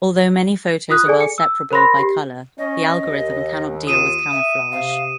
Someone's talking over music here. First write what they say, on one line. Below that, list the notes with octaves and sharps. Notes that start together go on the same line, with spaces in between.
Although many photos are well-separable by color, the algorithm cannot deal with camouflage.
F4 D#6 F#6
G#4 A4 D5 G#5
C#7
E6
A#4 C5 B5 C6 A#6
G4
C#4 D#5
D#2
F4 D#6 D#7 E7
E5
C3 F5